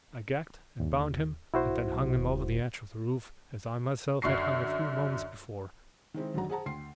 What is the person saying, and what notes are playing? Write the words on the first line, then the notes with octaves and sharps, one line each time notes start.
I gagged and bound him and then hung him over the edge of the roof as I myself had hung a few moments before.
D#2
B1 E4 F#4 C5
D#1
F#2 D3 C#6 C7
D#3 G#3 C4 E4
G#1 F#2 D3 F#3 A#5
G#4 C5 F#5 A5 A#5
D2 G5 C6 C7